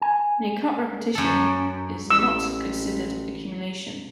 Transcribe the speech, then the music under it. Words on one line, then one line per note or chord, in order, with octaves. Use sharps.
In a cut repetition is not considered accumulation.
G#5
F#2 A4
A1 E6